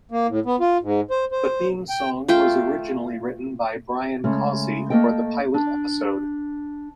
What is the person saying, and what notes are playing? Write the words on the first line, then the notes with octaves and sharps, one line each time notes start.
The theme song was originally written by Brian Causey for the pilot episode.
A#3
A2
B3
F4
G#2
C5
C5
G5
A3 F4 G5
C#3 G#3 A3 C#4
A3 A#3 A4 D#5 G5
D4